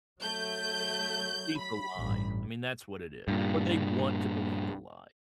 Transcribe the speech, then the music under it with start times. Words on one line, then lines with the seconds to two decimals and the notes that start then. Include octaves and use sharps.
believe the lie. I mean, that's what it is. Or they want to believe the lie.
0.21 F#3 A3 G6
1.58 B5
1.97 A1 G2
3.28 G2 A#2